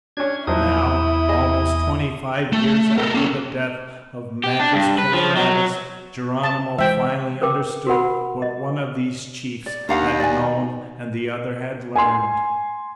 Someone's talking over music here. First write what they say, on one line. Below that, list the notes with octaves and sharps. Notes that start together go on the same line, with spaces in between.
Now, almost twenty-five years after the death of Mangus Coloradus, Geronimo finally understood what one of these chiefs had known and the other had learned.
C#4 D4 G#6
E2 F3 F#3 D#4 E4 D#6
G#4 D#5
A3
A4 A#4
A#3 C#4
G4
D4
G2
B4
F3
F#3
A5
E3 G#3 C5 E5 G5
A#4 B4 G5 D6
F#4 A#4 F#5 B5
D#5
D5
D#2 D4 F5 F#5
D5 G#5
G#5 C6